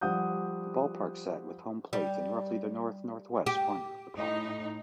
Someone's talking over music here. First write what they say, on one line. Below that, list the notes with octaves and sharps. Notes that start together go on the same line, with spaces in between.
The ballpark sat with home plate in roughly the north-northwest corner of the property.
F3 G3 F#5 D#6 G6
G3
G4
A2 D#4